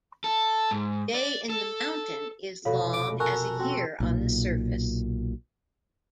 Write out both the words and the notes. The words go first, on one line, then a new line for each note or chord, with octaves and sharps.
Day in the mountain is long as a year on the surface.
A4
G#2
D5
A4
F1 B2 F#4 A4 C#5 F5 B5
D6
B3 F#4 A4 A#4 G#5 C#6 F#6
C4 F#4
B1 A#2